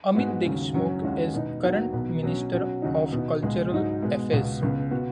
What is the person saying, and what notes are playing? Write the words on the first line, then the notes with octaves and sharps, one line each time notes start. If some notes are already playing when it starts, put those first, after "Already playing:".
Amit Deshmukh is current Minister of Cultural Affairs.
G#2 G#3 B3 F#4
D#2 C#3 F#3
F#1 F#2 F#3 C#4
D#2 D#3 G#3 C#4 F#4
B2 B3 D#4
D#2 D#3 F#3 B3 F#4
B1 B2 B3
B2 F#3 C#4
B2 F#3 C#4 F#4
D#2 C#3 F#3 D#4
B2 B3 D#4
C#2 B2 G#3
G#2 F#3 D#4 F#4
B2 G#3 B3
C#2 B2 B3 F#4
C#2 C#3 B3
B2 B3 F#4